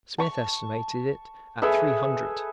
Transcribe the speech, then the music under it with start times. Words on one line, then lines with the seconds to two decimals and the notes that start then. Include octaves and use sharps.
Smith estimated it at three hundred.
0.18 A5 C#6
1.62 G#4 A4 B4 E5